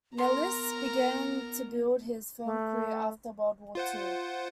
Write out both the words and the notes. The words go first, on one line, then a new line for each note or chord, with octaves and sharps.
Nalis began to build his film career after World War Two.
B3 A#4 A#5 C6
A3
F4 C5 F#5